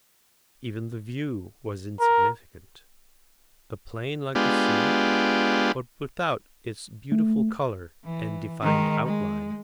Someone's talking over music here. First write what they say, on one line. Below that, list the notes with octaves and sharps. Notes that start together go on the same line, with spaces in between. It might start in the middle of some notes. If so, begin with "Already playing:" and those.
Even the view was insignificant;--a plain like the sea, but without its beautiful colour and defined outline.
A#4
G#3 B3 D4 F4 G4
A3
E3
D#3 G#3
G#3